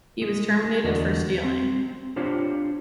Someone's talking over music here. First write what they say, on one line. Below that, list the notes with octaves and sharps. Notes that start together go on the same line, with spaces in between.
He was terminated for stealing.
G#3
E2 D3 F#4 D5 D#5
C4
D4 F4 G4 C5 C#5